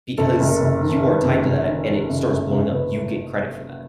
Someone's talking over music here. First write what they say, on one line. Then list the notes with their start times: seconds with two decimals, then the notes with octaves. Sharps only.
because you are tied to that and it starts blowing up, you get credit for that
0.18 F#1 A4
0.40 F#1
0.46 A#4
0.60 F#1
0.81 D#3
1.03 D#3 B4
1.23 F#1
1.46 F#1
1.66 D#3
1.88 D#3
2.09 F#1
2.31 F#1
2.51 F#1
2.72 F#1 B4